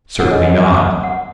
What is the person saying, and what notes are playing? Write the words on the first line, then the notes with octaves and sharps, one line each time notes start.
Certainly not.
C#4 F#5
D#5
F#5
F#5